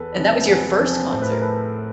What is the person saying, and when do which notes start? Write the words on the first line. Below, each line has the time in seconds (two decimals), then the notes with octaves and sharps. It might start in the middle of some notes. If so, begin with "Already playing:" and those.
and that was your first concert.
Already playing: E2 A4 B4
0.15 C3 F3
0.47 E2
0.79 C3 F3
1.12 A2 C5
1.22 B4
1.32 A#4
1.42 A4 B4